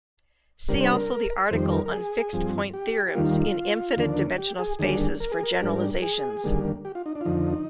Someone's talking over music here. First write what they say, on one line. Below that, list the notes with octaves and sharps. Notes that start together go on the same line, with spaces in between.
See also the article on fixed point theorems in infinite-dimensional spaces for generalizations.
C3 G3 D4 A#4
C5
A#4
F2 D#3 G3 C5
A#4
A#4
G#4
G2 F3 C4
G4
G4
D#2 D#3 G3 A#3 F4
D#2 D3 F3 A#3 D4
G4
G#4
D#2 D3 G3 A#3 D4 G#4
A#4
G#4
A#4
G#2 G3 D4
G#4
D#2 D3 G3 A#3
G4
F4
D#4
D4
F4
F2 D3 F3 D#4